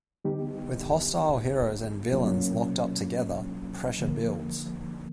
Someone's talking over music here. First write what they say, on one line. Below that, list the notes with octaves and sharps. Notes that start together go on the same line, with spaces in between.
With hostile heroes and villains locked up together, pressure builds.
D3 G3 B3 D#4 G4
B2 F#3 A#3 C#4 F4
D3 F3 A#3